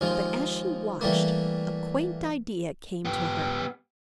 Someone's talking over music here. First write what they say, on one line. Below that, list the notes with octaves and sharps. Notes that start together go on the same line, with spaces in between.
But as she watched, a quaint idea came to her.
D#2 F3 G#3 F4
E3 G3 A3 A#3
B3 G4